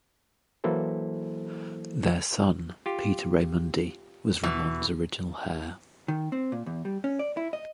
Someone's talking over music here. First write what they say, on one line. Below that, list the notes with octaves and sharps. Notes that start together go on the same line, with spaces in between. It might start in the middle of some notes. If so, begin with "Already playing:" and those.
Their son, Peter Raymundi, was Ramon's original heir.
E3 F#3 A#3 E4 A4 C5
F4 G4
B2 E3
D#3
C4
A#2
E2
G3
C#4
D5
E4
D#5